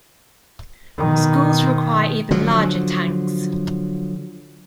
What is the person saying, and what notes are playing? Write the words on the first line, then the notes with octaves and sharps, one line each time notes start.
Schools require even larger tanks.
B2 D#3
D3 F3 F#3